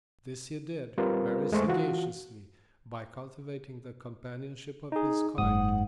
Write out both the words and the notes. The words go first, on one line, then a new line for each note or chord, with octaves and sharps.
This he did, very sagaciously, by cultivating the companionship of his kind.
G3 C4 F4 A#4 B4
E2 G#3 A3 G#4 C5 C#6
E3 F4 F#4
D#4 G#4
F#1 G#2 F#5 D#6